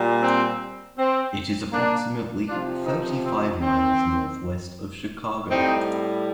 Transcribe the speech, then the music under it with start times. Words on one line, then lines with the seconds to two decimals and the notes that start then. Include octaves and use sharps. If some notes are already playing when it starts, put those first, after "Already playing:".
It is approximately thirty-five miles northwest of Chicago.
Already playing: A#2 G3
0.21 C4
0.97 C4
1.72 A#3 D4
2.47 C3 F3 D4 F4
2.86 C4 D#4
3.23 C4
3.61 C4
5.49 A2 G3 C4 D#4